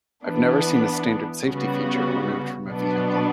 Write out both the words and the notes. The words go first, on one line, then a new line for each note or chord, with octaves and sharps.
I've never seen a standard safety feature removed from a vehicle.
E3 B3 D4
C#3 G3 B3 F#4
B2 F#3 B3 D4